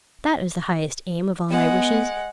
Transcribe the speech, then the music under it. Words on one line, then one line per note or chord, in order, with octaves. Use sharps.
That is the highest aim of all my wishes!
G#3 B3 F#5